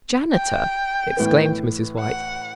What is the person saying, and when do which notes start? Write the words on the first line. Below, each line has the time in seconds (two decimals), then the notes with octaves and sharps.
"Janitor!" exclaimed Mrs. White.
0.33 G5
1.17 A2 E3 B3
1.99 F#5